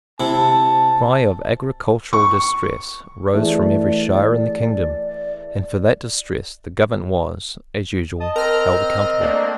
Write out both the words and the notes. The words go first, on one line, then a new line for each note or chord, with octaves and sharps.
The cry of agricultural distress rose from every shire in the kingdom; and for that distress the government was, as usual, held accountable.
C3 E4 A5
C#6
E3 A3 G#4 D5
D#5 A5 D#6
C4 A#4 A#5 F6
A3 A#3 D4 D5